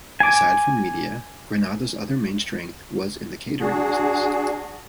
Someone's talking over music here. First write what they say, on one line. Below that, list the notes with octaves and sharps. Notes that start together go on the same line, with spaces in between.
Aside from media, Granada's other main strength was in the catering business.
G#5 D6
D4 F#4 G#4